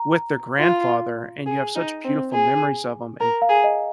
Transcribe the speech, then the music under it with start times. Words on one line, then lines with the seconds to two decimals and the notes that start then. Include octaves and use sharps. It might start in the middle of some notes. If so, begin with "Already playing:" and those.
with their grandfather, and you have such beautiful memories of him, and,
Already playing: A#5
0.59 F4
1.46 G#4
1.75 D#4
2.04 C4
2.33 G#4
3.20 A#4 A#5
3.42 F5
3.49 G#4
3.64 D#5